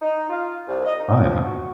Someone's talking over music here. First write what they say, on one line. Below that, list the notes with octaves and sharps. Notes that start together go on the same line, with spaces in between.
Oh, yeah.
D#4
F4
C2
D#5
D#4
F3
F#4